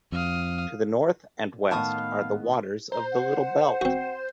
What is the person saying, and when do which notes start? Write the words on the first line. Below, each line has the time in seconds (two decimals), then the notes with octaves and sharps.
To the north and west are the waters of the Little Belt.
0.12 F2 F5 D#6
1.71 A2 D#3 B3 D#5 F5 A5 C#6 D#6
2.92 C5 A#5
3.12 F#5
3.81 C4 F#4